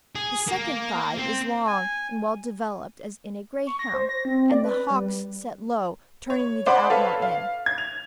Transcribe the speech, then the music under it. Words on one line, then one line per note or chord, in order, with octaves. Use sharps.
The second thigh is long and well developed as in a Greyhound, and the hocks set low, turning neither out nor in.
G#4
A#3
C4
G#5
C#6
A#6
C5
A#6
C4
D5
B4
G3
C#5
C5 D5 F#5 B5 D6
A4 B4 C#5 F5
F5
G#6
F7